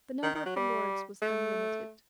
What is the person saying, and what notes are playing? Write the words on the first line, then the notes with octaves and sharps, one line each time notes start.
The number of the Lords was unlimited.
D#3
D#3
F#3
G3
A3